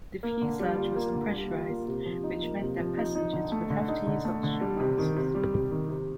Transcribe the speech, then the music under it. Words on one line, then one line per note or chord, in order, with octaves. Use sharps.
The fuselage was unpressurized, which meant that passengers would have to use oxygen masks.
A#3
D3
G3
F4
A#3
D3
G3
F4
A#3
C3
F3
D#4
A#3
C3
F3
D#4
D#4
D3
A3
D3
D#4
D3
A3
D3
G3
C3
D#3
C3
G3
C3
D#3
C3